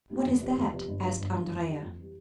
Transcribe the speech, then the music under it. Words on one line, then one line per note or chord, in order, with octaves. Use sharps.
"What is that?" asked Andrea.
A2 G3 D4 F4
E2
C3 F3 B3
E2
C3 F3 B3
G1
G2 F3
G1
G2 F3
F2
E3 G3
F2
E3 G3